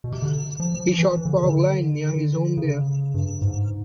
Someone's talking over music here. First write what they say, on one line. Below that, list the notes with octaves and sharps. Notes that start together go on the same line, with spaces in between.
He shot "Fog Line" near his home there.
B2
C3
D3
F3
F3
F3
E3
E3
D3
C#3
D3
C#3
G2
G#2